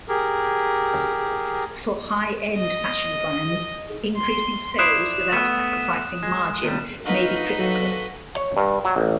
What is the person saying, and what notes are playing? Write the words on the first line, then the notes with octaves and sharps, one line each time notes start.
For high-end fashion brands, increasing sales without sacrificing margin may be critical.
G4 G#4 A#4
D#5
C6
E4 C5 D5 D#6 F#6 E7
A3 B3
G#3
D#2 C3 G3
D2 D#4 F#4 B4 D#5 F5
F#3 A#3 F#4 A4
C#5
G2
F#3
A1